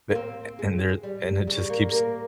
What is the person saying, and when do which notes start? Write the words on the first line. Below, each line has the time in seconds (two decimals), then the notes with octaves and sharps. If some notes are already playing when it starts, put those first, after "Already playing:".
Th a and there and it just keeps
0.11 A#3
0.15 C4
0.59 G#3
1.03 G3
1.47 C#3
1.70 A#3
1.92 A#3